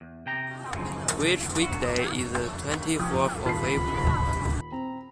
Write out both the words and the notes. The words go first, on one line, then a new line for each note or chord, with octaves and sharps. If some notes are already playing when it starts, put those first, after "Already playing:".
Which weekday is the twenty-fourth of April?
E2
C3 G5 A#5
C#2 F#2 C#3 F3
F#4
F3 G5 D#6
D#1 F4 A5 B5 C7
C4 A#5